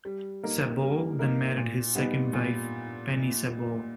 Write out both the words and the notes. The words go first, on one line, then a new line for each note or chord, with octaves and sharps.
Sabol then married his second wife, Penny Sabol.
G3
A#3 D#4 A#4
G3
A#3 D#4 A#4
A#2
G3 B3 D#4
A#2